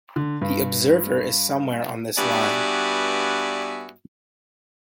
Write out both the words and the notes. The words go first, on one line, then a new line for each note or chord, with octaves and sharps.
The observer is somewhere on this line.
D3
G2
G2 B3 F#4 D5 E5 G#5